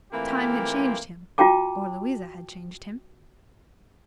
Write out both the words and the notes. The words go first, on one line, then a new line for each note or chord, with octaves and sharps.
Time had changed him, or Louisa had changed him.
E3 A3 A#3 C4 F4 G4
F4 F#4 G5 A5 D6